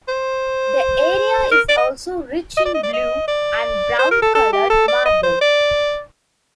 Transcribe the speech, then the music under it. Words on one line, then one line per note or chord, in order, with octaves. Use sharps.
The area is also rich in blue and brown colored marble.
C5
A#4
D5
D#5
D#5
D5
D#5
D5
D#5
D5
C5
A#4
A4
A4
G4
A4
D5
D#5
C5
D5